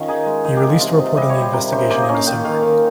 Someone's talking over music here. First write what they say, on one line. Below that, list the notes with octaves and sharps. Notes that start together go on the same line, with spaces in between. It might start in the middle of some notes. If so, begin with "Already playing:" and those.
He released a report on the investigation in December.
Already playing: D#3 C#4 F4 C#5 D#5
D#4 G#4
G#3
D#4 G#4
G4
G#3
F4
C3 F4
C3 D#5
G3 D#5
C#5
G3
C5
C3 A#4
C#4 C5
A#3 C5
D#5
C#4
F5
D#3 G5
D#3 F5
D#3